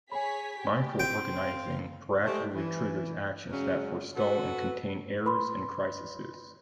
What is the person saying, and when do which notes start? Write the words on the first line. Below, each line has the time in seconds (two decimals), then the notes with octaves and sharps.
Mindful organizing proactively triggers actions that forestall and contain errors and crises.
0.12 G#4 C#5 G#5 B5 B6
0.59 G4
0.99 C4 G5 D7
1.39 F5
2.26 G#3 A3 G4 C5
2.55 E3
3.52 C#3 F#3 G#3 C#4
4.16 F#4 A4 B4
5.25 B4 B5 C6